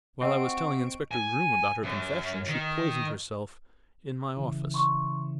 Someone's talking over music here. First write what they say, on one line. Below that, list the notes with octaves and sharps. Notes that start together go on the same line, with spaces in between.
While I was telling Inspector Groom about her confession, she poisoned herself in my office.
C4 F#4 D#5 A5 C#6 E6 D7
G#5
F#2
D#3
C#3 E3
C6 C#6